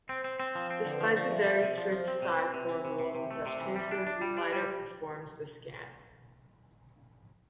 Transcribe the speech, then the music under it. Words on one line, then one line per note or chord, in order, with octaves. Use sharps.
Despite the very strict Psi Corps rules in such cases, Lyta performed the scan.
C4 C5
C4
C4
F3
C4
D3
B4
F3 C5
F3 D5
C3 E5
F3
E5
C3
D5
F3
F3 C5
C4
C3
C4
C3 B4
E3 C5
C3
E5
C3
C3 E5
A3
C3
E3
G3 E5
D4 E5
D4
F4
G3
D4 G4
G3